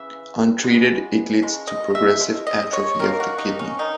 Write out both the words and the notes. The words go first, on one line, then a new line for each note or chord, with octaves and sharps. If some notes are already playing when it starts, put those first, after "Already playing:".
Untreated, it leads to progressive atrophy of the kidney.
Already playing: C#3 E3 E5
C#3 E3 G#3 B3
C#3 G#3
D#5
E5
C#3 G#3
D#5
C#5
D#3 A#3 A#4
F#4
D#4
C#4
D#3 A#3 D#4